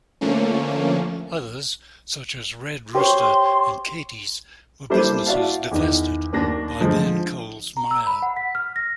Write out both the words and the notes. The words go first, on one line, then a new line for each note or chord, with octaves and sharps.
Others such as Red Rooster and Katies were businesses divested by then Coles Myer.
D3 F3 A3 A#3 C#4
G4 C5 C#5 C6
G3 A#3 D4 E4 A4 C5
E4 F#4 D5 E5 F5 A5
E2 D#3
D#2 A#3 D4 A#6
D3 F3 G#3
A#5
E6
B5
F#5
B6
F6
A#6